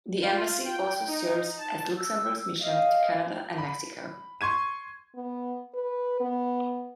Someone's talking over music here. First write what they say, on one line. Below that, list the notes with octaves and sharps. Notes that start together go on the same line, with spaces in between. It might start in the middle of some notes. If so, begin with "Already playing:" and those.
The embassy also serves as Luxembourg's mission to Canada and Mexico.
F4
G5
D#4
A5
E6
D#5 F5
B5
C6 C#6 G#6 D#7
B3
B4
B3